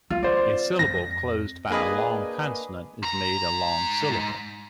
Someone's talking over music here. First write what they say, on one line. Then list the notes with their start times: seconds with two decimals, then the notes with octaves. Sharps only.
A syllable closed by a long consonant is made a long syllable.
0.10 A#3 F4
0.23 C4 C5 D5
0.79 F2 A#6
1.70 A#3 D4 G#4 B4 D5 D#5
3.03 G#2 A#5